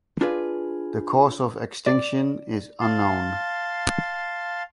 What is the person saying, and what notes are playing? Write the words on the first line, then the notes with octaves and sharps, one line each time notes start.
The cause of extinction is unknown.
D4 F4 G#4 B4
D5
F5 A5 C6